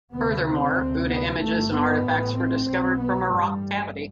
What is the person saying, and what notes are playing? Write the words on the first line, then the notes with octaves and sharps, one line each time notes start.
Furthermore, Buddha images and artefacts were discovered from a rock cavity.
D2 C3 B3
C4
D2 C3
B3
G1 G2 A3
B3
A1 A2
C4
B1 B2
B3
A1 G2 G3